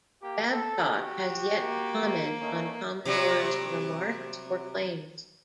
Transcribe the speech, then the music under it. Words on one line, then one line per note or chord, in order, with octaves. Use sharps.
Babcock has yet to comment on Commodore's remarks or claims.
A#3 G4
A4
F#4 G4
A#3
A3 C#4 D#4
C3 F#3 G3